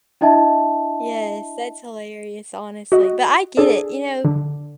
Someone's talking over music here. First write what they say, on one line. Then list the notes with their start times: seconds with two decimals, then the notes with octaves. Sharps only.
Yes, that's hilarious, honestly, but I get it. You know,
0.21 D4 E4 D#5 E5 A5
2.92 F#4 D#5
3.57 D4 G#4 A4 D5
4.25 D3